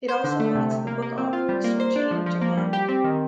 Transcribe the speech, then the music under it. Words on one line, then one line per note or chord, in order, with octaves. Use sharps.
It also owns the Book Off bookstore chain in Japan.
C5
D3
A3
C3
C3
A#3
A#3
C4
F4
G3
A#3
C5
D4
F3
F3
A#3
G3
G4
C4
D#3